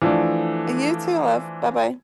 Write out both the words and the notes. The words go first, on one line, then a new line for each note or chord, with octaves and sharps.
You too, love. Bye-bye.
E3 F3 A3 D4